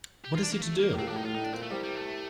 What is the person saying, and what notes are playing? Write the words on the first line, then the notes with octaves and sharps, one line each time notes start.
What is he to do?
G4
F4
D4
A#3
A3
A#3
A2
A#2 C4
A2 D4
D#4
A2 F4
A2 D#4
D4
A#2 C4
A3
C2 C3 G3
G3
A3